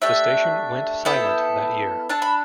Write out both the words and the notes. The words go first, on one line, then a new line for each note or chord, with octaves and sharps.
The station went silent that year.
A3 D4 G4 E5
B3 E4 A4 G5
D4 A4 A5
B5